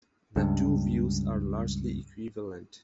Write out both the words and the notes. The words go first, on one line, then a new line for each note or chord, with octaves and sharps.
The two views are largely equivalent.
C#2 G2